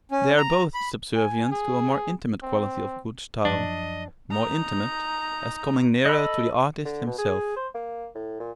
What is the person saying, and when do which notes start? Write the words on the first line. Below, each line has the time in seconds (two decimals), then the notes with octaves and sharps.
They are both subservient to a more intimate quality of good style: more intimate, as coming nearer to the artist himself.
0.11 C#4
0.37 A#5
0.74 B5
1.16 G#5
1.52 G#4
2.43 C4
3.45 F#2 F3 D4 D#5
4.31 D#4 A#5
6.06 A4 D#5 B5
6.85 D3
7.07 B2
7.18 G#4
7.56 C5
7.74 A#3
8.15 A2
8.40 A#2